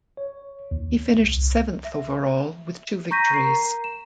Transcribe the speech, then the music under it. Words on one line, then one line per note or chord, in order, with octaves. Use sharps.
He finished seventh overall, with two victories.
C#5
D#2
C2
E5
A#5 C#6 G6 A#6 B6 D#7
A#4 A#5 C7
E7